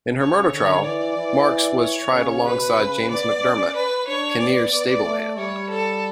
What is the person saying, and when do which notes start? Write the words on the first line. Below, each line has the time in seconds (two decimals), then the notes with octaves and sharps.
In her murder trial, Marks was tried alongside James McDermott, Kinnear's stable hand.
0.20 C#3 C#5
0.52 D3 C#5
0.85 E3 D5
1.17 E3
1.82 C#5
2.14 C#3
2.46 B2 B4
2.79 C#3
3.11 B3 D5
3.43 C#4
3.75 B4
4.08 D4 C#5
4.40 B3 D5
4.73 B3
5.05 A3
5.37 G3 C#5
5.70 A4